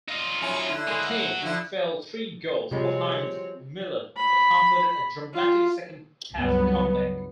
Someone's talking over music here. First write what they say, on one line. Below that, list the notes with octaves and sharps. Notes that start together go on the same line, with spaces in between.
The team fell three goals behind Milan but completed a dramatic second-half comeback.
D#4 F4
F#2 C#4 E4
D3 E4
G#3 A#3
F#3 F#5
D3 F3 E4
C3 F3 G3 G#3 C4 F#4 C#5
B5
F4
C#2 G2 F#3 B3